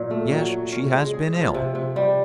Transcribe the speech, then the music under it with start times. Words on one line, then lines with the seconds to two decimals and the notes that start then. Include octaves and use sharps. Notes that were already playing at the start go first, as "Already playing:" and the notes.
"Yes, she has been ill."
Already playing: A#2 F#3
0.10 A3
0.31 F#3
0.52 F#3
0.72 C#4
0.93 G#3
1.13 G#4
1.34 F3
1.54 C3
1.75 C3
1.96 G3